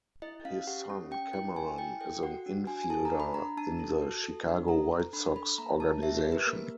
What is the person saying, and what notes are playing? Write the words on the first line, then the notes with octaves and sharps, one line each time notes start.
His son Cameron is an infielder in the Chicago White Sox organization.
E4 D#5
C#4 F5
G4 F#5
C#4
C#4 G5
E4 G5
E4 G#5
E4 G5
A4 G5
F#4 F#5
D4
F#4 G#5
G#5
A4 A5
A#5
D4
B5
D4 A#5
D4 A5
A4
F#4
A4
D4
A4 A#5
A4
D4 B5
A4 B5
A#3 A#5
A#3 A5
G4 E5
A#4
G4
B4
A#3 A#4